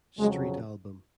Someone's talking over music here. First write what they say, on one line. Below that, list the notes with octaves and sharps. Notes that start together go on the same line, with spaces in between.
Street album.
F2 C#3 F#3 G#3